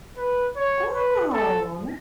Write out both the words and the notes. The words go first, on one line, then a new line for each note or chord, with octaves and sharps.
Oh, nice.
B4
C#5
B4
A4